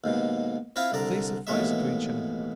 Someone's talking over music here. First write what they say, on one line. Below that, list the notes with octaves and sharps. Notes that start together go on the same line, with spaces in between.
They sufficed to each other.
D#2 G#2 B2
C4 E4 F4 F5 G#5
C2 D3 D5 A#5
A1 D#2 B2 G#3 C#5 E5